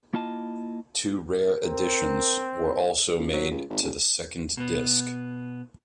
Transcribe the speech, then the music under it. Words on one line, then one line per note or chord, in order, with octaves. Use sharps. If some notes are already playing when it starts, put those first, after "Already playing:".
Two rare additions were also made to the second disc.
A#3 E4 F4 D#5 A5
C4 A#4
C#2
F#3
C#2
G#1
D#1
B2 B3